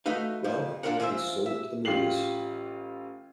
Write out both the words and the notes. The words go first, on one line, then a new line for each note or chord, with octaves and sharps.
Well, he sold it to the movies.
A3 D#4 F#4 B4 F5
F2 F3
A#2 E3 D4 F4 A#4 F#5
E3 F4 C5 D5 E5
E5
A1 F4 G4 C7 F#7